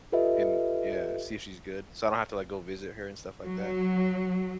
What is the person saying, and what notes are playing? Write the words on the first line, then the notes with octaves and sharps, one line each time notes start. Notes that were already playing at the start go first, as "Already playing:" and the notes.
and, yeah, see if she's good. So I don't have to, like, go visit her and stuff like that.
F4 G4 A4 B4 D#5 E5
F#3